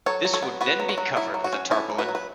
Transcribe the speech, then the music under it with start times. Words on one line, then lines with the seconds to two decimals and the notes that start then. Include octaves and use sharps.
This would then be covered with a tarpaulin.
0.06 F#3 A4 C#5
0.25 F#3
0.34 A4 C#5
0.42 B3
0.61 B3 F#4 B4
0.80 F#3
0.89 F#4
0.98 F#3
1.16 F#3 E4
1.34 F#3
1.44 F#4
1.53 C#4
1.71 C#4 E4 A4
1.90 F#3
1.98 F#4 B4
2.08 F#3
2.15 B4